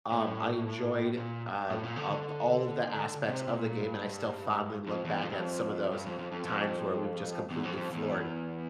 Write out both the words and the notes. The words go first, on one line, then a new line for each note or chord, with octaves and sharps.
Um, I enjoyed, uh, the up all of the aspects of the game, and I still fondly look back at some of those times where we've just completely floored
A2
A#2
A2
A#2
D3
D3
C3
C3
A#2
G2
F2
E2
F2
G2
F2
G2
F2
F2
F2
F2
E2
F2
F2
E2